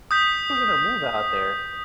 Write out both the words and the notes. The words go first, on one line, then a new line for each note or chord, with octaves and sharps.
we’re gonna move out there.
D#6 G6 B6